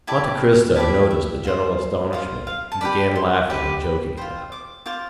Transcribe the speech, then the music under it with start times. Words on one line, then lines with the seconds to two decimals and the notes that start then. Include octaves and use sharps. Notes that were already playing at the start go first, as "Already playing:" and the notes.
Monte Cristo noticed the general astonishment, and began laughing and joking about it.
0.07 E4 G4 D5 A5
0.75 E4 G4 D5 A5
1.11 E5
1.45 F4 C5
2.13 F4 C5 F5
2.47 F5
2.72 A5
2.81 G4 B4 D5 B5
3.16 C6
3.50 G4 B4 D5 C6
3.83 B5
4.17 F4 C5 G5
4.52 D6
4.86 F4 C5 D6